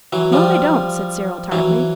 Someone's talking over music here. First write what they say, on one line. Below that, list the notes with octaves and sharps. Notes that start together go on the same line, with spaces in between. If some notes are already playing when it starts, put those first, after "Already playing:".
No, they don't,' said Cyril tartly.
E3 F#3
F3 G3
E3 F#3